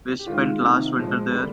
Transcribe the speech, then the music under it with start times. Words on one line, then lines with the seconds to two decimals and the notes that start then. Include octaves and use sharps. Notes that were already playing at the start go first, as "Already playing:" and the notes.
We spent last winter there.
0.19 G4
0.26 D#3 G#3 F4
0.61 C3 D#3 A#3
0.96 A#2 F3 G#3
1.31 D3 G3 A#3